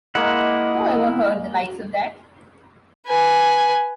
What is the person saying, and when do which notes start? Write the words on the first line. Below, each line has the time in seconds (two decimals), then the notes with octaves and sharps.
Who ever heard the likes of that?
0.15 G#3 A#3 E4 D#5 F#5
3.07 B4 G#5